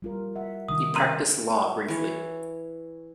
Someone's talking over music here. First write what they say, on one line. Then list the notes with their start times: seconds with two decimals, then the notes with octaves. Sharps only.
He practiced law briefly.
0.02 G3 F4 A#4
0.36 E5 F#5
0.69 C3 D#3 D#4 D#6
0.96 B3 C#4 A#4 A#5 C6 D#7
1.88 E3 C#5